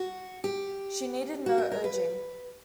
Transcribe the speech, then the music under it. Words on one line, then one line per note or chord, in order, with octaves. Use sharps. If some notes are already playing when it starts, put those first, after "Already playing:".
She needed no urging.
Already playing: F#4
G4
F#4
A#4
A#4
B4